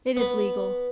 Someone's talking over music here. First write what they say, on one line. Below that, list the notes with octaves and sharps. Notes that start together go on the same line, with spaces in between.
It is legal.
B3 B4